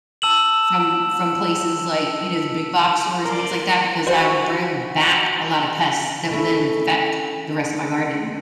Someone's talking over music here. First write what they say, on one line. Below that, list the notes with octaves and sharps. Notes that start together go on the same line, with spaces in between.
from from places, like, you know, the big box stores, and things like that, because I would bring back a lotta pests that would then infect the rest of my garden.
A5 E6 E7 F#7
A#4 D5 C6
F#4 C5
C#3 A3 E4